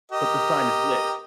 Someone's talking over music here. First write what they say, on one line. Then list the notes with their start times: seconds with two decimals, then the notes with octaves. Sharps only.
But the sign is lit?
0.12 G4 A#4 D#5